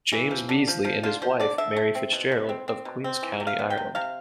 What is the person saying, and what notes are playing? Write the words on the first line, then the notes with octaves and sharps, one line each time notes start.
James Beesly and his wife, Mary Fitzgerald, of Queen's county, Ireland.
E3
F3
D3
F3
F3
D3 F4
F3 C5
D3 D5
D3 E5
A3
C4
B2
B2
C4
C4
B2
C4
E3
C3
F5
B3
G5
C3
C3 F5